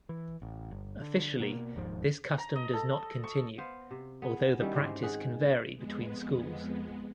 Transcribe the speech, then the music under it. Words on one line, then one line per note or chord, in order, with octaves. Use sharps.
Officially this custom does not continue, although the practice can vary between schools.
E3
A1
G1
D3
B2 A#3
E1 D#2 G#2 F3
A#5
D#5
A4
C#6
B3 C5 F5
C3
B3 G#4
D#3 G3 C#4 E4
G#2 C4 C#4 G4
D#3 G#4 F#5
F2 G#3 B3